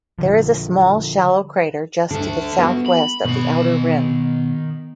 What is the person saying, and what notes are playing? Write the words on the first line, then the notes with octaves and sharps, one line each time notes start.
There is a small, shallow crater just to the southwest of the outer rim.
D3 F3
D2 D3 D4 E5
B3 F#4
B5
B2 D#3 B5